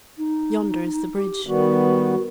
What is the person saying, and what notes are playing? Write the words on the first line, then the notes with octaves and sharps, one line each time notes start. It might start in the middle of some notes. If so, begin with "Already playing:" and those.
"Yonder is the bridge."
D#4
G4
D#3 G3 B3 F#4